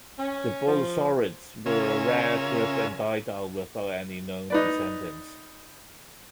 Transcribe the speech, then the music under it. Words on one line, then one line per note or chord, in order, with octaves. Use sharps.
The bolosaurids were a rare group and died out without any known descendants.
C#4
F3
C#3 C#4 F4 A#4 E5 G#5
D#4 B4 D5